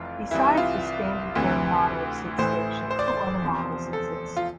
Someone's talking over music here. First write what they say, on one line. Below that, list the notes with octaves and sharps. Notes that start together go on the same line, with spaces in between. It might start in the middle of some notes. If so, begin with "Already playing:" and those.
Besides the standard grey model of SidStation, two other models exist.
Already playing: F1 F2 E3 F4
C2 C3 E3 E4
F4
D2 C3 E3
A1 A2 E3 C5
C5
D5
C5
E2 C3 F3
A4
F4